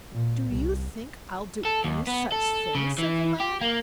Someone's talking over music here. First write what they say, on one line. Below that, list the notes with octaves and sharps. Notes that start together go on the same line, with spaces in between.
'Do you think I'll do any such thing?' said the lad.
A#2
C2
A4
D#2
B3
A4
C#3
E3
G4
A#3